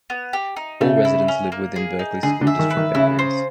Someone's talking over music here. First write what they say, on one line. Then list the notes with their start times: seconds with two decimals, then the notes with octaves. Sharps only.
All residents live within Berkley School District boundaries.
0.10 B3
0.33 G4
0.56 D#4
0.81 C#3 A3
1.05 E4
1.28 C#4
1.52 A#3
1.76 G#4
1.99 D#4
2.23 D3 G#4
2.41 D3
2.47 E5
2.59 D#3
2.70 B4
2.77 D#3
2.95 C#3 E4
3.19 C5